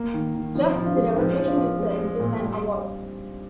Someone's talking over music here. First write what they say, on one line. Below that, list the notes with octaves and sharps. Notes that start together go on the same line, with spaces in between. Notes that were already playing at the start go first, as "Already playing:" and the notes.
Just the recognition itself is an award.
Already playing: A#3
D#3
D#3
F3 C4 D#4
F3
D4 F4
G#3
F3 C4 D#4
F3
D4 F4
F3
G#3
G#3
A#2
G3